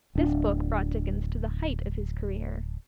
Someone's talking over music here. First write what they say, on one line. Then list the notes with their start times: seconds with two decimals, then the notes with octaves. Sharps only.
This book brought Dickens to the height of his career.
0.15 D1 D4